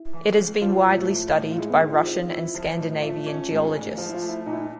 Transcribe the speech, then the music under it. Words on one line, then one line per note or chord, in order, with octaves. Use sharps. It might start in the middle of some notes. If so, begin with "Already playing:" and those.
It has been widely studied by Russian and Scandinavian geologists.
Already playing: E4
E3
C#2
F3 F4
A2
A3
A2
F4
G#3 E4
B3
D#3 E4
F4
C4
E4
F3
A2
A3 F4
C#4
G#2
A1
F3 F4
E4
F4
A3
E4
A#2 D#4
E4
D#4